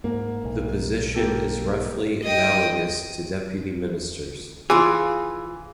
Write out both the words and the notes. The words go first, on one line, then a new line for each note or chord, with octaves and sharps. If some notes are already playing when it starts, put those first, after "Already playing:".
The position is roughly analogous to deputy ministers.
G#2 A#3
B1
A#3 G4 A4
D#5 G5
E3 F4 G#4